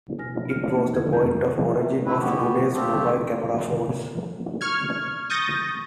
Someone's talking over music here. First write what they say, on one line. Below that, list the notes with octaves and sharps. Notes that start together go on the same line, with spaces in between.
It was the point of origin of today's mobile camera phones.
B2 G#5 F6 A#6
B3 F6
A#3 D#4
F2 D3 D#3 E4 A4 G#6
A4 A5 A#5 G6
C3
A3 C4 E4 B4
G#3 B3 F#4 G4
A3 C4 D4 F4 G4
C#6 F6 G#6
C#6 D#6 G6 A6 A#6